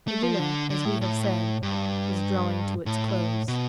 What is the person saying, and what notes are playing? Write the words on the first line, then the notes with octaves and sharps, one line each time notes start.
The dinner, as we have said, was drawing to its close.
A3
F3
D3
D3
A2
A2
G2
A2
B2